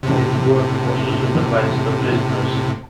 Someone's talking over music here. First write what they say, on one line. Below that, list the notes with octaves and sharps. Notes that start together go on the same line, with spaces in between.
His work was to supervise the prisoners.
A2 C3